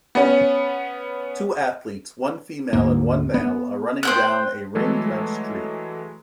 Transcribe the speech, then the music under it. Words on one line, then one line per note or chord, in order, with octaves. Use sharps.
Two athletes, one female and one male are running down a rain drenched street.
B3 C#4
D2 G#2 A#3
B3
C5 G5 F#6
E3 F#3 G#3 A3 A4